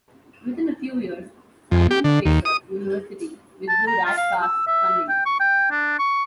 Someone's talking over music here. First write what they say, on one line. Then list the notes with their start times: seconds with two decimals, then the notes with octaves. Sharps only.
Within a few years, Simon Fraser University withdrew Rat Park's funding.
1.71 F2
1.91 G4
2.04 D3
2.25 D#2
2.45 D#6
3.68 A5
3.87 A#5
4.06 F4
4.17 F5
4.42 E6
4.67 E5
5.09 G5
5.26 C#6
5.40 G5
5.71 D4
5.99 C#6